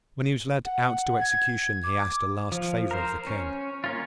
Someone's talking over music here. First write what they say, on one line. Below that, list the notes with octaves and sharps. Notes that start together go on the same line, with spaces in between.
When he was led out to execution he asked a last favour of the King.
F#5
G#6
D6
F3
A#4 C5
C#4
A#3 C#4 F4